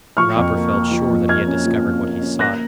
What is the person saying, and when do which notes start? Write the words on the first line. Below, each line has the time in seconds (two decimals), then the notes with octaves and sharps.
The robber felt sure that he had discovered what he sought.
0.17 F3 C#6 F6
0.36 F2
0.55 A#3
0.73 A#3
0.91 F3
1.10 F2
1.29 A#3 F6 G#6
1.47 C#4
1.66 F3
1.84 F2
2.03 A#3
2.21 C#4
2.39 A#3 F#6 A#6